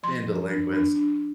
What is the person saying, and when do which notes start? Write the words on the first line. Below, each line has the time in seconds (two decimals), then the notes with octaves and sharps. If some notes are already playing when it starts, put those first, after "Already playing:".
being delinquents.
0.03 F3 C6
0.26 F3
0.49 D4
0.73 D4
0.96 D4